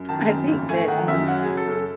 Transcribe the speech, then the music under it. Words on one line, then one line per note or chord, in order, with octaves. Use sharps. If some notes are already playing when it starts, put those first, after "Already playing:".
I think that, um
Already playing: F#2
D#3 A5
F#2
G#1
A3 G#5
D#3 F#5
F#2 E5
F#3 F#5
C#3 G#4
A4
F#2 A4